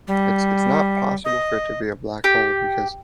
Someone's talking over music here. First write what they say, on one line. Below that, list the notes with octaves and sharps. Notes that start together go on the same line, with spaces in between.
"It's it's not possible for it to be a black hole because
G3
D#5
G4